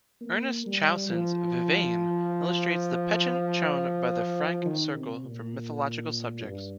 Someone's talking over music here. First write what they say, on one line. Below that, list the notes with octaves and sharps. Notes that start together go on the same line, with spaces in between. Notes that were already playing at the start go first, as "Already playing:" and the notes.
Ernest Chausson's "Vivane" illustrates the penchant shown by the Franck circle for mythological subjects.
A#3
G3
F3
D#3
C3
A#2
G2